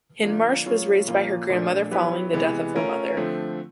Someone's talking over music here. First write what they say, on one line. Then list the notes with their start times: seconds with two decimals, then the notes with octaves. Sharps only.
Hindmarsh was raised by her grandmother following the death of her mother.
0.23 D3 F3 A#3 D4 F4
0.66 F#3 A#3 C#4 F4 G#4
1.08 A#2 F3 A#3 C#4 F4
1.50 A#2 F3 A3 D4
1.91 F#3 B3 E4 G4 B4
2.33 C3 E3 G#3 B3
2.75 A3 C#4 F4 A#4
3.17 D3 F3 A3 C4